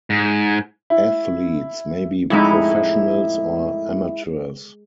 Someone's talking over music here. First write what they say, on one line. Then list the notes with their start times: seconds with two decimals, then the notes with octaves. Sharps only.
Athletes may be professionals or amateurs.
0.10 G#2
0.90 E4
2.30 F2 A2 G#3 D#4 E4 C#7